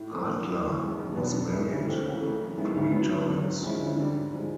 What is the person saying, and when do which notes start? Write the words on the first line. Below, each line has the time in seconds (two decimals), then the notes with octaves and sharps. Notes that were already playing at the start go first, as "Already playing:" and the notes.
Adler was married three times.
Already playing: A2
0.11 F3 A3 C4
0.29 A#1
0.46 A2 E3
0.63 F#1
0.81 E2 C#3 E3 G#3
0.98 B1
1.16 B2 G3 B3 D4
1.33 G2
1.52 E3 G#3 C#4 E4
1.69 D2
1.86 C3 E3 A3 C#4
2.04 C#2
2.21 C#3 E3 A3
2.39 F#2
2.57 D#3 G#3 B3 E4
2.74 D2
2.92 C#3 F#3 B3 E4
3.08 D2
3.26 D3 F#3
3.43 G#2
3.62 F3 G#3 C#4 E4
3.79 D2
3.96 D3 G3
4.14 G#2
4.31 F3 G#3